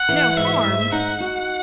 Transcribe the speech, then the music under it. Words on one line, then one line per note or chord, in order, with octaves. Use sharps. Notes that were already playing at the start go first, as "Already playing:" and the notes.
"No harm!"
Already playing: F#5
E3
G#2 E5
G#2
D#4 F#5
F#4